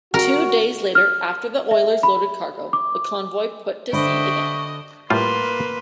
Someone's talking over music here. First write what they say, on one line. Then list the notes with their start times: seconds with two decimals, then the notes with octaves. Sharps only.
Two days later after the oilers loaded cargo, the convoy put to sea again.
0.14 F#4 A#4
0.95 F6
1.71 E5
2.03 B5
2.73 D6
3.93 D3 D4 C5 D#5 E5 G5 B5 C#6
5.10 A2 G3 A#3 F4 B4 C6